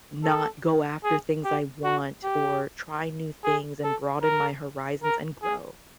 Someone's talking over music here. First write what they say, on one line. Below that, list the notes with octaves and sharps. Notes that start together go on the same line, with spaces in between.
not go after things I want or try new things and broaden my horizons and grow.
A4
G#4
G4
F#4
G4
G#4
A4
A#4
A#4
G#4